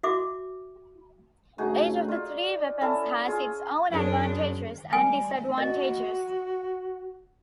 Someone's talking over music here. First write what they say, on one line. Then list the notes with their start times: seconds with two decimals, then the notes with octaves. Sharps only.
Each of the three weapons has its own advantages and disadvantages.
0.03 F#4 E5 D6
1.58 G2 C#3 A3 D#4 F#4 G#4
2.08 F4 D5
2.81 C#4 E4 A4
3.26 F4 G#4
3.89 F#2 C#3 D4
4.93 G3 G#5
5.58 F#4 D#5